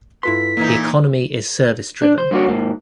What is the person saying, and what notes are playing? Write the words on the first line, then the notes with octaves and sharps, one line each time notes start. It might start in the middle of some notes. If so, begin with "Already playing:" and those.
The economy is service driven.
G2 E4 F4 A4 B4 C6 B6
A#2 E3 A#3 D#4
D4
C5
G2 A#3 F4 F#4 C#5
G#2 A#3